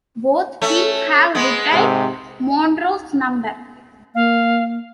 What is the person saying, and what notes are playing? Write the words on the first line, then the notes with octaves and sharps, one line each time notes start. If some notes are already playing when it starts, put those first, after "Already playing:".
Both teams have retired Monroe's number.
A3 C#4
G#3 B3
G#2 C3
A#3 F5